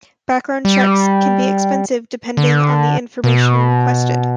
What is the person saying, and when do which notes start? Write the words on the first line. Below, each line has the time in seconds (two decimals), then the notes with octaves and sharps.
Background checks can be expensive depending on the information requested.
0.65 G3
2.37 D3
3.24 B2